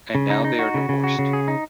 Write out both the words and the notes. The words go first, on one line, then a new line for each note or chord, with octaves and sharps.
And now they are divorced.
C#3
D#4
D#4
F#4
C#3
C#3
F#4
C#3
G#4
D#4